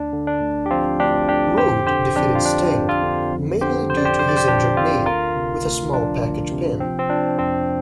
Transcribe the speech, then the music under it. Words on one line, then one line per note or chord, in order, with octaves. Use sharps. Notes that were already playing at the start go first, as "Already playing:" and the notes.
Rude defeated Sting, mainly due to his injured knee, with a small package pin.
Already playing: D2 D4
D3
D4
D2
G4
F3 C4 F4
D2 D4 G4
D3 D4 G4
F2 G4 C5
D3 G4 C5
F2 D4 G4
F4
F3 D4
F2
C4 F4
D3
F2
D3 G4 C5
F2 C5
D5
G4 C5
F3 C5
D5
G4 C5
F2 D4 G4
D3 C4 F4
D2 F4 A#4
C3
D2
F3 D4
D2
C3
F3 C4
C4
F3 D4
F2 C4